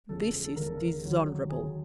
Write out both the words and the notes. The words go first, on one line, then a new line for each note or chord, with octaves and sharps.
This is dishonourable!
F#1 E2 C#3 F3 G#3 A4
A4
A4
F#1 E2 C#3 F3 G#3 A#4
A4
A#4
D#2 D3 F#3
D#2 D3 F#3 G#4